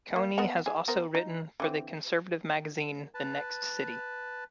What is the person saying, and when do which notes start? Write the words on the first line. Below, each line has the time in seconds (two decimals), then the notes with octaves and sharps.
Coyne has also written for the conservative magazine The Next City.
0.16 A#3
0.38 B3 A#4 F#5
0.66 G#4
0.88 B3 A#4 C5
1.15 D#4
1.60 D3 E3 C4
3.14 B4 A5